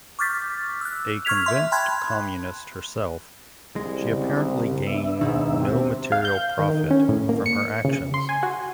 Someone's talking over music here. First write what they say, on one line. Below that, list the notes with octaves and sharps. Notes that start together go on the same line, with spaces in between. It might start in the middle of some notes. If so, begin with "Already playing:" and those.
A convinced communist herself, she apparently gained no material profit from her actions.
C#6 D6 F6 G6 A6 B6
E6 F#6
C#6 F6 G#6 B6 F7
E5 C6
G5 A5 B5 C6 F#6 G#6
C2 G#3
C#3 C4
B3 D4 E5
D#2 G#2 B2 D#3
C3 C4
F5
G6
D#3
D#3
C#4
A2
A#3
C#7
C#3
C6
G#5
F#4